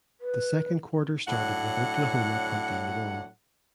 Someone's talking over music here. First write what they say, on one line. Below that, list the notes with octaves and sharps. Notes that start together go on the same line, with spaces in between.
The second quarter started with Oklahoma punting the ball.
B4
A2 F#3 D4 F#5